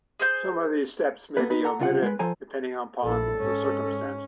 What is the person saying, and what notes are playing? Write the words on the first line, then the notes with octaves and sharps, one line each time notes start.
Some of these steps may be omitted, depending upon the circumstances.
G#4 C5 G6
A#3 B3 A4 B4
D#4 B4
A4 F#5 A#5
C2 C#3 F4 C5 F#5
G#3 B4
F3 A4 C5 G#5 A#5
A#1 E4 A4
G#2 C#4